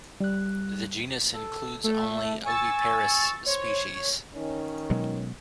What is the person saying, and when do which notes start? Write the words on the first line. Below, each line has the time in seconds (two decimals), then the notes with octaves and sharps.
The genus includes only oviparous species.
0.20 G3 F#6
1.34 A4
1.84 A3 A4
2.45 G#5 C#6 E6 A6
3.46 C5 C#5
4.35 D#3 C#4
4.90 B2 F#3 G#3